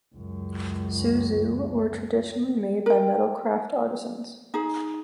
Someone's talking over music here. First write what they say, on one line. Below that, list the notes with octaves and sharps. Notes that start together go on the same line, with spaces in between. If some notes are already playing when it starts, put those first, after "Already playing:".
"Suzu" were traditionally made by metal craft artisans.
C#2 F#2
A#4 G5
D#4 G#4